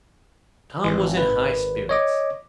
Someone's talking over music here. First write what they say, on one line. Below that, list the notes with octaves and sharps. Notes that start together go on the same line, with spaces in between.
Tom was in high spirits.
G#1 E3
B4
C#5 D#5 D6